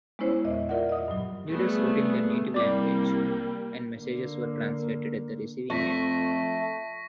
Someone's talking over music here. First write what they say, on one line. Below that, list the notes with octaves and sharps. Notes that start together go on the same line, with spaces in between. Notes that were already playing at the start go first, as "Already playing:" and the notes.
Leaders wrote in their native language and messages were translated at the receiving end.
G#3 B3 C#4 E4 C5 C#5
E2 A#2 D#5 E5
F4 A#4 D5 E5 F#5
D#5 D#6
G2 A#2 F#3
G3 A3 B3 G#4
C2 G3 A#3 D5 D6
D3 A#3
F2 A3 C#6 A#6 B6